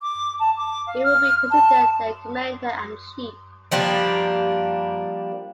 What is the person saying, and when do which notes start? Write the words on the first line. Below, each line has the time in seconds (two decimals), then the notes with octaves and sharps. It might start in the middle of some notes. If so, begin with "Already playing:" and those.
He would be considered their commander and chief.
0.02 D6
0.40 A5
0.57 D6
0.87 F5
1.04 F6
1.51 A5
3.72 F3 G3 A#3 D4